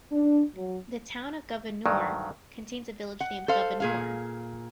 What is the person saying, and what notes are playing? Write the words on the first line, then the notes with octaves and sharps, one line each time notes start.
The Town of Gouverneur contains a village named Gouverneur.
D4
F#3
D2 G2 D#3 F#3
F#5
A4 C5 F5
A#2 G#4 F5